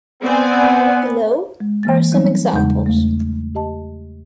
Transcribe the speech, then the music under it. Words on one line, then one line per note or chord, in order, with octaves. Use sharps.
Below are some examples.
B3 C4 D5 G#5
G#3
E3 A#3 A6
F#3 G3 B3 C4 D#4
E2 C#3 G#3 D#4 F#5 G6
E2 A3
G4 D#5 A5